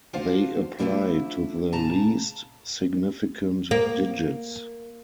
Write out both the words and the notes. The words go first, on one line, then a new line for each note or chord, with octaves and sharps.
They apply to the least significant digits.
F3 D4 F4 F#4 C5
F3 A3 A#3 C4 D4 E4
A#2 C#3 A5 A#5
A#3